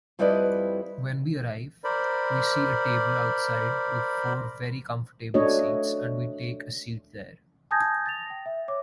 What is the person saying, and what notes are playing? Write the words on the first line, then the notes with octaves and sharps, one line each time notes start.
When we arrive, we see a table outside with four very comfortable seats and we take a seat there.
F2 G3 E4 B4 D5 D#5
A#4 C5 D5 B5
A3 D4 F#4 C#5 D#5
G#5 A5 D#6 G6 G#6 A#6
A6 A#6 F7
G5
E5
C#5 D6